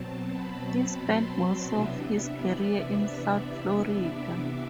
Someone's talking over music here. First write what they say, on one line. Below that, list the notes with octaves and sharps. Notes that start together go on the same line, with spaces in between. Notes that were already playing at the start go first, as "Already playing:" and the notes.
He spent most of his career in South Florida.
Already playing: B2 F#3 C4 A5
B5
C6
B5
C3 E3 B3 D4 E5
D5